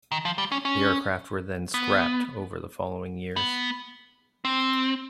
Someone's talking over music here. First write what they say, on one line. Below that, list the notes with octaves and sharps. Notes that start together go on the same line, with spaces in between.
The aircraft were then scrapped over the following years.
D#3
F3
G3
C#4
C#4
B3
B3
C4